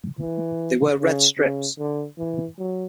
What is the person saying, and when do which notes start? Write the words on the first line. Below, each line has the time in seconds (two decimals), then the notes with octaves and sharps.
They wear red strips.
0.19 E3
0.99 C#3
1.38 C#3
1.78 D3
2.18 E3
2.58 F#3